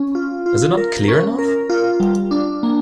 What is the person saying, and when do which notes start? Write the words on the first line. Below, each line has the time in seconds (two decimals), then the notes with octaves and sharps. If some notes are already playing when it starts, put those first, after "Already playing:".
Is it not clear enough?
Already playing: C#4
0.15 F4
0.46 F4
0.77 A#4
1.08 C#4
1.39 A#4
1.69 F4
2.00 G3
2.31 D4
2.63 A#3